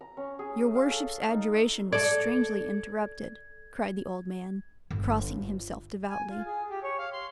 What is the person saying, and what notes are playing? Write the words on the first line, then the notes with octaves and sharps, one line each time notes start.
"Your worship's adjuration was strangely interrupted," cried the old man, crossing himself devoutly.
A#5
C#4
G#4
F5
A4
D#4
A4 D5 G#6
G1
G#5
F4
G#4
G4
C#5
F5
C6